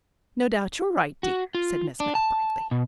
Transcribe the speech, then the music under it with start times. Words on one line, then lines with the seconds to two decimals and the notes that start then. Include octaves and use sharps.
"No doubt you're right, dear," said Miss Mapp brightly.
1.23 F#4
1.55 F4
2.00 D4
2.15 A5
2.71 B2